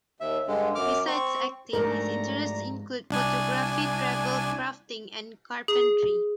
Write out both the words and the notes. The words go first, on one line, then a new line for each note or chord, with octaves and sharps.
Besides acting, his interests include photography, travel, crafting, and carpentry.
D#2 E5
G2 D3 G#3
F#2 D6 F6
C4 C#6
G#2 F3 A3 D4 F#4 A#4 A#5
C2 D4 G#5
G#4